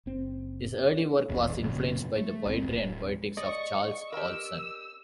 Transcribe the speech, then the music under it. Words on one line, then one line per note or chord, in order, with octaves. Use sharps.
His early work was influenced by the poetry and poetics of Charles Olson.
F#1 C4
D#1 B1 E2
F#1 F#2 A#2 C#3
A3
B1 C4
D1 D#2
D5 D#5 C#6
G4 A#4 E6